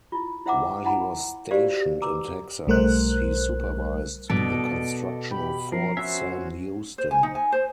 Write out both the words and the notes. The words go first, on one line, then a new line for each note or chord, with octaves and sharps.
While he was stationed in Texas, he supervised the construction of Fort Sam Houston.
E4 F4
E4 C5 E5 F#5 A#5 D6
E4 F#5 G#5 A#5 B5
F#4 G4 A#4 C5 D5 F5
B4 A#5 D6 E6
B1 G3 A3 A#4 C5 F#6
A#1 G2 B2 A4 D5 D#5 D7
G4 B5
F3 A#4 C7
C#4 F#4 C5 E5
C5
G#5
D#4
G#5
C5